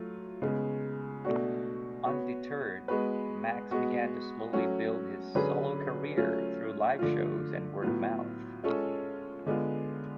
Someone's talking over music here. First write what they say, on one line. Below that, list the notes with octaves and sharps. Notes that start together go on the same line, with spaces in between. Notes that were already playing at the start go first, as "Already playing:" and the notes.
Undeterred, Max began to slowly build his solo career through live shows and word-of-mouth.
Already playing: F#3 A3 F4
C#3 G#3 B3
B2 A3 D4 F#4
B3 F#4 C#5
G#3 B3 F#4 B4
G#3 B3 F#4
F#3 A3 C#4 F#4
D3 F#3 C#4 G#4 B4
F#3 A3 C#4 F4
D3 F3 A3 F4
A2 F#3 B3 F4
G#3 C#4 F4 A4 C#5
D3 G#3 B3 F4